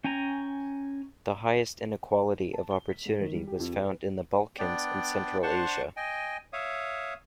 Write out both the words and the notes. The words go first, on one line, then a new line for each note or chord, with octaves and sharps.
The highest inequality of opportunity was found in the Balkans and Central Asia.
C#4 G5 G#5 A#5
A5
G7
B6
G#2
D#3
G3
G4
F2
G4
B4
B3 D4 D5 G5
D4 C5 F#5 A5 C6 C#6
D#5 G5 G#5
C#5 E5 F5 D#6